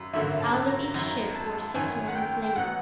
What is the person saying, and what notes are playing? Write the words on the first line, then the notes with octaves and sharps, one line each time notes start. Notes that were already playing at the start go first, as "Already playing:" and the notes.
Out of each ship were six men slain.
Already playing: G#1 F#2
G#1 F#2 D3 F#3 A#3 E5
A5
A#5
G#1 F#2 D#3 A#5
A5
G#1 F#2 D#3 G#5
F#5
G5
G5
E1 B2 F#5